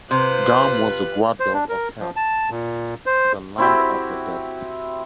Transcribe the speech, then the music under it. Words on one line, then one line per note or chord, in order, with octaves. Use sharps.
Garm was the guard dog of Hel, the land of the dead.
C3 F4 B4 C5 F#6
C5
D4
A#4
F3
A5
A#2
C5
C4 E4 F#4 G4